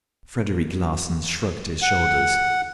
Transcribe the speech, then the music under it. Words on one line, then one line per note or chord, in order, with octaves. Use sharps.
Frederic Larsan shrugged his shoulders.
F#5